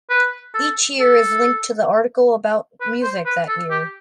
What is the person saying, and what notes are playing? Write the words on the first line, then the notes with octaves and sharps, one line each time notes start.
Each year is linked to the article about music that year.
B4
A4
A4
B4
C5
B4
A4
G4